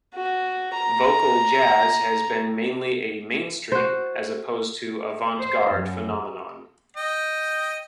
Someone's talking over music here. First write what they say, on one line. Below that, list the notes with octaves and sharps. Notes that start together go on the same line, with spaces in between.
Vocal jazz has been mainly a mainstream, as opposed to "avant-garde," phenomenon.
F#4
A#5
F#4 C5
C5
F#2
D#5 G5